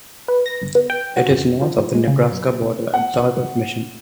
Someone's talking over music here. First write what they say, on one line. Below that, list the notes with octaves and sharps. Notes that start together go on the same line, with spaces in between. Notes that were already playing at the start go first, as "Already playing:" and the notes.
It is north of the Nebraska border and south of Mission.
B4
A#6
G1
B3
G5
F#4
F2
F3
G#3
C#3
F#2
B2
F#5